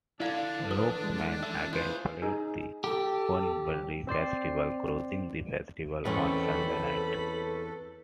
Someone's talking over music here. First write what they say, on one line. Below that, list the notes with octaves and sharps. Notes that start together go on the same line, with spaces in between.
Lakeman again played the Cornbury Festival, closing the festival on Sunday night.
D3 D4 E4 D5 F5 G#6
B4 D#6
G#3
C#2 D3 E5 E6
E4 F4 G#4 B4 C5 F#6 G6
D#4 G#4
G4 A4
C4 C5 D5 C7
E2 C4 C#4 A4 B4 C#5 B5